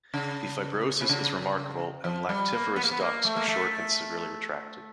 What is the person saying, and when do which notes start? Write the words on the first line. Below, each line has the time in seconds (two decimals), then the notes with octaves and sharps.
The fibrosis is remarkable and lactiferous ducts are short and severely retracted.
0.14 C#3
1.01 C3
1.09 C#3
2.04 F3
2.29 G3
2.53 A#3
2.76 B3
2.84 A#3
2.91 B3
3.00 A#3
3.25 A3
3.36 A#3
3.48 A3